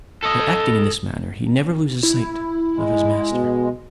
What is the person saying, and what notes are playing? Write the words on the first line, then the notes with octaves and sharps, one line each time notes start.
By acting in this manner, he never loses sight of his master.
A4 D#5
E4
G#3
B2